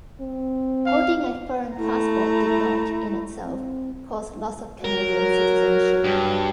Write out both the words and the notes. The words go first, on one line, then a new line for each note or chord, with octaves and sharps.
Holding a foreign passport did not "in itself" cause loss of Canadian citizenship.
C4
F5
A3 E4 A#5
C4
F#3 A#4
G2